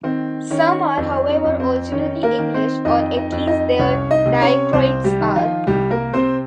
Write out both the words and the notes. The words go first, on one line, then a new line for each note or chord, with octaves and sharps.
Some are however originally English, or at least their diacritics are.
D#3 C4
D#3 C#4
F2 C4
C#4
F2
C4
D#3 C#4
A#3 A#4
D#3
C4 C5
F2 D#4 D#5
D#4 D#5
F2
D#4 D#5
C2 C#4 C#5
D#4 D#5
C3
C#4 C#5
C2 C4 C5
G3 G4
D#3
F3 F4
C2 G3 G4
A#3 A#4
C3 C4 C5